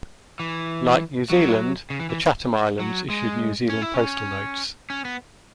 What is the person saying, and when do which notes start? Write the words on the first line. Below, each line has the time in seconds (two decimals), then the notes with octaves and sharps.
Like New Zealand, the Chatham Islands issued New Zealand postal notes.
0.40 E3
1.30 F#3
1.90 C#3
2.00 E3
2.10 E3
2.79 F#3
3.10 G#3
3.70 C#4
3.82 E4
3.94 C#4
4.90 C#4
5.05 B3